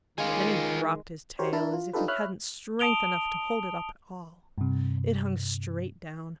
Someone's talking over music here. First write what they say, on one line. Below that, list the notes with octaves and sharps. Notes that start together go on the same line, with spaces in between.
Then he dropped his tail as if he hadn't strength enough to hold it up at all. It hung straight down.
D#3 G#3 F4 G#4
F#4 G4 A#4 C5 C#5
D4 E4 A#4 A5
F4
D4 D#4 F4 G4 A4 B4
C#5 E5 B5 F6 F#6
A5 D#6 D7 F7 G7
G2 C3